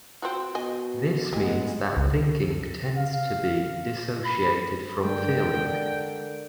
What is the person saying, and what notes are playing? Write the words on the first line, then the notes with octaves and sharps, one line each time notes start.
This means that thinking tends to be dissociated from feeling.
C4 F4 F#4
B2 D#5 G#5
A2 G#3 B3 G4
C#2
F5
B5
D3 G#3 A#4 D5 G5